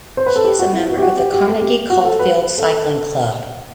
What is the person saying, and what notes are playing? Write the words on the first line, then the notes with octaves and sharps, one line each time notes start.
She is a member of the Carnegie Caulfield Cycling Club.
C5
B4
A4
G4
F#4
E4
F#4
G4
F#4
G4
G4
A4
G4
F#4
A4
B4
A4